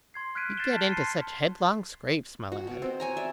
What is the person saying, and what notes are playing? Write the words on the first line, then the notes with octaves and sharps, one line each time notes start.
"You get into such headlong scrapes, my lad."
C6 G#6 C7
F6 F#6 G#6 B6 D7 D#7
F#6 G6 A6 C7 E7 G7
A5 F#6 G#6
B5 C6 C7 C#7 D#7 G7
F#4
B2
C4
C#5 G#5 A#5
D5 E5